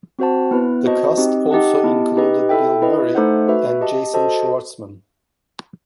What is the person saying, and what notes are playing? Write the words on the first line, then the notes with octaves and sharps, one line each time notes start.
The cast also included Bill Murray and Jason Schwartzman.
C4 F#4 C5 F#5 A5
B3 E4 B4
C4 F#4 C5 D#5 A5
C4 D#4 G4 D#5
D#4 G4 D#5 F#5 A5
B3 E4 G4 D#5 A5
D#4 G4 B4 D#5
E4 A4 E5 G5
E4 B4 D#5
A3 D#4 A4 C5 F#5
F#4 B4 E5
G4 D#5 A5
F#4 A4 C5 D#5 A5